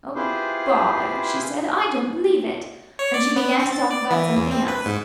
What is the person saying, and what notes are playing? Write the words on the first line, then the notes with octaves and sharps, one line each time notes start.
"Oh, bother!" she said; "I don't believe it!" and she began to talk about something else.
E4 F4 G4 G#4 B4 C5
C#5
D5
B3
C4
A6
D5
E3
E2
C4
B4
G#2